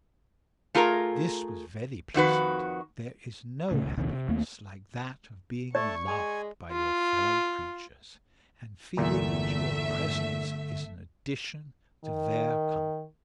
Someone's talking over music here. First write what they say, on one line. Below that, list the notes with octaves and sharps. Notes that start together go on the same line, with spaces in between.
This was very pleasant; there is no happiness like that of being loved by your fellow-creatures, and feeling that your presence is an addition to their comfort.
A3 F4 G#4 A#4 A#5
F2 D#3 F#4 B4
A2 C#3 F3 A3
D#1 C#2
A#1 D#2 C3 D#3
C3
D#2 A3 A#3 C4
A3 D5 A5 C#6
G#3 G#5
F4
G1 E2 A#2 D3 A3 E5
D#3